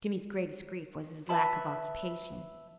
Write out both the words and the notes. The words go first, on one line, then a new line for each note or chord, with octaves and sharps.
Jimmy's greatest grief was his lack of occupation.
B4 E5 A5 B5